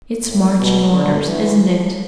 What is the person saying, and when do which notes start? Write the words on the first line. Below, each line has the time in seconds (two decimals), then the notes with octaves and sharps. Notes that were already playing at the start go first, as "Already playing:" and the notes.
"It's marching orders, isn't it?"
0.24 A2
0.58 B2
0.92 D3
1.26 E3
1.61 F3